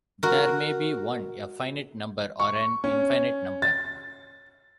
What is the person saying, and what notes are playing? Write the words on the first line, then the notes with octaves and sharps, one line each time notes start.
There may be one, a finite number, or an infinite number.
F#4 A#4
C#6
C#4
A6